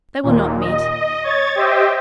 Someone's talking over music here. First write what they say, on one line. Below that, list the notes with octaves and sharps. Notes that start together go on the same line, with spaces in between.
They will not meet!
D#2 A#2
D#5
C#5 G#6 A6
G4 C5 D#5 E5 G5